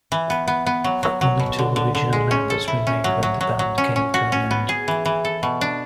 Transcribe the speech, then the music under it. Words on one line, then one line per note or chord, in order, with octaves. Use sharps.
Only two original members remained when the band came to an end.
E3
B3
B3
B3
F#3
F#3
F#3
B2
D3
D3
D3
G#3
C#4
A4
E4
C#4
F#3
F#3
F#3
F#3
C#4
C#4
F#4
C#4
B3
G#4
E3
E3
A4
B2
D4